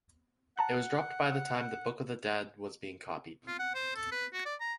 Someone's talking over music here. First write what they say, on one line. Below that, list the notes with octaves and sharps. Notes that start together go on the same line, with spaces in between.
It was dropped by the time the Book of the Dead was being copied.
F#5 A5 A#5 F#6
F4
F#5
C5
A4
B4
F#4
D5
A#5